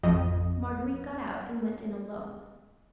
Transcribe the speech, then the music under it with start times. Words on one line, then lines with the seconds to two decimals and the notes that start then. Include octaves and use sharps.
Marguerite got out and went in alone.
0.03 A1 F2 D#5